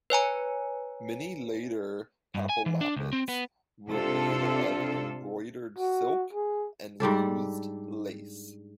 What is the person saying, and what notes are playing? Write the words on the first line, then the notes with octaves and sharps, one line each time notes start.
Many later papal lappets were made of embroidered silk and used lace.
B4 C#5 G#5 A#5
G2
G#5
E3
D4
C#2
C4
B3
C3 D4 F4 A4
F#4
G#4
G#2 G3 D4 A4